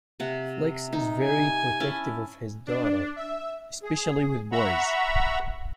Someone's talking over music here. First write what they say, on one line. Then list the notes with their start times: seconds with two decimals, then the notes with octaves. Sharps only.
Flex is very protective of his daughter, especially with boys.
0.20 C3 F#5
0.93 D#4
1.23 G#5
1.80 C#4 E4 A5
2.67 D4
3.16 E5
3.83 G#4
4.52 E5 F#5 A#5 B5 C#6 E6